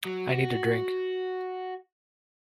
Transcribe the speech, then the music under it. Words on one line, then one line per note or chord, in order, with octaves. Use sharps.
I need a drink.
F#3
F#4